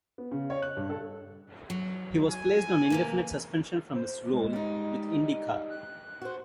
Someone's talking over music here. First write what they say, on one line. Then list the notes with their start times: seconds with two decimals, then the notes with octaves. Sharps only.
He was placed on indefinite suspension from his role with IndyCar.
0.18 B3
0.31 C#3
0.50 C#5
0.62 F#6
0.77 G2
0.89 A4
1.70 F#3
2.30 G#5
2.90 C3 E3 A#3
3.95 C5
4.32 G#3
4.53 G3 D#4
5.69 F#6
6.22 F#4 C5